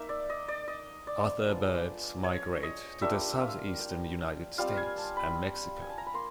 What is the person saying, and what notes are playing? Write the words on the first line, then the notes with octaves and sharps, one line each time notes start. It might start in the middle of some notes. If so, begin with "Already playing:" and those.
Other birds migrate to the southeastern United States and Mexico.
Already playing: A#3 D#4 E5
D5
D#5
D5
D#5
D5
G#3 B3 D4 F4
C#5
D#5
G3 A#3 D4 F4 E5
E5
F5
G5
G3 C4 F4 F5
G#5
A5
B5
G#5
A5
A#5
B5
A#3 C6